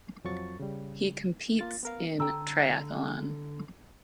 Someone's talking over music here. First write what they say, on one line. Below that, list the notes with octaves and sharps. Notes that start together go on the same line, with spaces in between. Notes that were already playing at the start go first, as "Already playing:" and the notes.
He competes in triathlon.
F2 F3 F#3 C#6 A6
C#3 G3
A#3 F4 A6
B3 A#4 F5
D3 A4 G5 A#5 E6